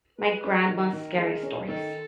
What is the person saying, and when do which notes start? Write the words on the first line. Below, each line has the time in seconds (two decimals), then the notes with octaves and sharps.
my grandma's scary stories,
0.18 G#3 B4
0.44 C#4
0.68 D#3 A#4
0.93 D#3
1.18 G#3
1.43 C#4
1.68 D#3 A4